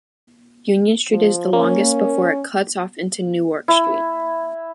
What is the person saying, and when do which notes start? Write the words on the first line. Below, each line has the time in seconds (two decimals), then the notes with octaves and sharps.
Union Street is the longest before it cuts off into Newark Street.
1.11 F3
1.53 A#3 C#4
3.68 E4